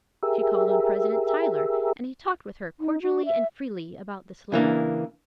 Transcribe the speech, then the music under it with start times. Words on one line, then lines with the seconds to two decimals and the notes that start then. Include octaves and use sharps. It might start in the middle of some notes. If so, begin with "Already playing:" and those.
She called on President Tyler, and he talked with her cordially and freely about the slave.
0.23 G4 G#4 A#4 E5
2.80 D#4
3.02 F#4
3.26 E5
4.52 C#3 E3 A#3 D4